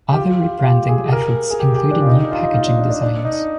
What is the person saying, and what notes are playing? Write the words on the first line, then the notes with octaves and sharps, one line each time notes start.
Other rebranding efforts included new packaging designs.
G4
F4
F4
F4
G4
G#4
A#4
G#4
G4
G4
D4
F4
D#4
F4
D#4
F4
D4
D4
D4
D4
D#4